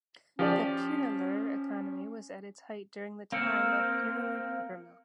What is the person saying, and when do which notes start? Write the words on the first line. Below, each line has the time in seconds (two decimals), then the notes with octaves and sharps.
The Punalur economy was at its height during the time of Punalur Paper Mill.
0.39 F3 C#4 G4 D5
3.32 A#3 C4 F5 C#7